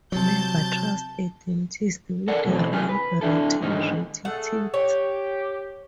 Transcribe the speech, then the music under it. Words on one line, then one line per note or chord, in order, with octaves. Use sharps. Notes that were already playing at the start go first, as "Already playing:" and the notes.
Never trust a dentist with rank, rotten, ratty teeth.
C3 F#3 A5 G6 A6
A4 A#4 D5 F#5
B2 E3 A3 C4 C#4
C3 E3 C#4 F4 G#4
B4
D3 D4 E4 A4
E2 G#2 D3 D#3 C#4 D#4
A3 G#4 A4 F#5
G4 C#5